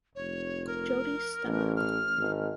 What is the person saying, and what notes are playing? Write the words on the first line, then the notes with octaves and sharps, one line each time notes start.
Jodi Sta.
F1 C#5
A#4
A1
F6
G#1